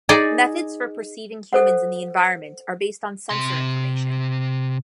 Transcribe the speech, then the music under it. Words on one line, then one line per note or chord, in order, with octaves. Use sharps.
Methods for perceiving humans in the environment are based on sensor information.
D#4 G#4 D5
A4 C5 F#5
C3 C6